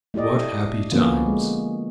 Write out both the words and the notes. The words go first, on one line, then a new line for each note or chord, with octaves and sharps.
What happy times!
A3 E4 G4 D5 D#5
D3 F3 A#3 B3 C#4 F#4
G#3